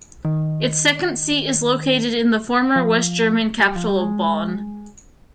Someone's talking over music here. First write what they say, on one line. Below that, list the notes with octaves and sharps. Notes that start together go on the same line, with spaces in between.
Its second seat is located in the former West German capital of Bonn.
D#3
F3
G3
F3
G3
G#3